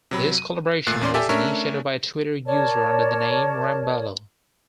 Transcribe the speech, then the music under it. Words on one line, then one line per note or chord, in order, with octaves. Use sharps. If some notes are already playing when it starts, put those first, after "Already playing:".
This collaboration was initiated by a Twitter user under the name 'Ramballo'.
C3 F#3 B5
D#7
G#1 A#2 A3 F#6 C7
E2 C#4 D5 C6
G4 A4 D5 E5 G#5
A3 C#4 D4 A#4 C#5 E5
A#4 C#5 D5 A5